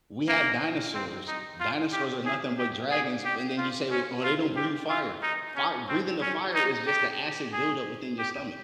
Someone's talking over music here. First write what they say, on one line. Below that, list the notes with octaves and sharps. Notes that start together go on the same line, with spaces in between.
we have dinosaurs. Dinosaurs are nothing but dragons, and then you say, we "Oh, they don't breathe fire." Fire breathing the fire is just the acid buildup within your stomach.
A#3
C4
D#4
F4
G4
G#4
G4
G#4
G4
F4
C#4
F4
G4
F4
D#4
C#4
C4
C#4
D#4
G4
G#4
G4